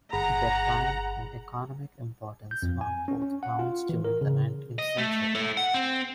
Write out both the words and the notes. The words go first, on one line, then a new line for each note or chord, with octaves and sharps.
Decline in economic importance marked both towns during the nineteenth century.
G1 G#4 F#5 A#5 B5
G6
F2
G#5
C#4
C#4
F#5
F4
E3
A#4
C#3
D#5
A3
A4 C#5
F#5
C4